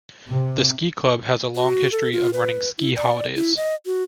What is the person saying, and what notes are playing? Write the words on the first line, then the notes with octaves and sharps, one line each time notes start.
The Ski Club has a long history of running ski holidays.
C3
F#4
A4
F4
B4
E4
D5
E4
D#5
F#4